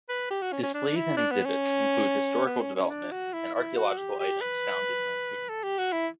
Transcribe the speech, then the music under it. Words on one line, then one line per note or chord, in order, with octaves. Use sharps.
Displays and exhibits include historical development and archaeological items found in Lamphun.
B4
G4
F#4
C#4
C#4
D4
E4
D4
B3
C#4
B3
C#4
C#4
D4
F#4
E4
E4
F#4
G4
G4
B4
A4
G4
F#4
E4